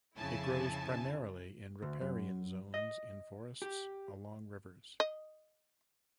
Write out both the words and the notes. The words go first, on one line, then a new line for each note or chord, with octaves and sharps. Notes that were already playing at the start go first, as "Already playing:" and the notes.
It grows primarily in riparian zones in forests along rivers.
F2 C#3 E4 G#5 A5
D2
F#2
D#5
G4
D#5